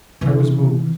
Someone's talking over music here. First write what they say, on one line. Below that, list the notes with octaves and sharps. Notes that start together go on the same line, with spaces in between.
I was moved.
C3 E3